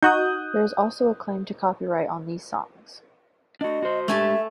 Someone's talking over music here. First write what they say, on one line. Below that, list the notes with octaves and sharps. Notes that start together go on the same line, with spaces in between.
There is also a claim to copyright on these songs.
D#4 F#4 D#6 F#6 G6
D4 F#4 D#5
F#4 C5
G#3 A3 D4 G4 E5 G#5 A5